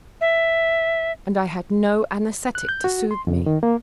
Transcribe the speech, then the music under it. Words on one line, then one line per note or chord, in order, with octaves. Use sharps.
And I had no anaesthetic to soothe me.
E5
F#6
G6
F#4
C6
F2
D#3
A#3